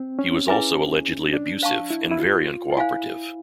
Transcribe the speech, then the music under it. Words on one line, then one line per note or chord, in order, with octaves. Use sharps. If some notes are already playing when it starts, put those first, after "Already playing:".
He was also allegedly abusive and very uncooperative.
Already playing: C4
C#4
E4 G#4 B4 E5 G#5
D4
C5 F5 A5 C#6
E4
E4
F4
F4
E4 C5 F5 G#5